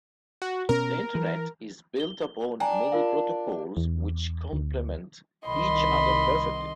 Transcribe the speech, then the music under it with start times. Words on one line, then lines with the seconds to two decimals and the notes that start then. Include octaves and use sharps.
The internet is built upon many protocols which compliment each other perfectly.
0.42 F#4
0.69 B2 C#4 A#4
1.15 E3
2.00 G7
2.60 D4 G5 G#5 A#5
2.92 F4 A#4 F5
3.77 E2
4.53 D2
5.47 C2 D#3 D#5 B5 C6